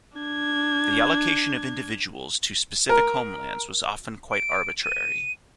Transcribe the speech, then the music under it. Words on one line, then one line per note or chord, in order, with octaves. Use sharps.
The allocation of individuals to specific homelands was often quite arbitrary.
D4 G#6
A#4
D7
D#7